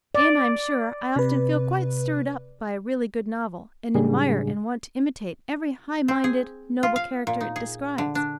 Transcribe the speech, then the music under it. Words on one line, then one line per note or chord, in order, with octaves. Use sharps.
And I am sure I often feel quite stirred up by a really good novel, and admire and want to imitate every high-minded, noble character it describes.
D5
C3 B4
A2 C#3 G3 G#3 D4 G#4
C4
G#4
F4
F5
A#2
D#4
G#4
D3
D4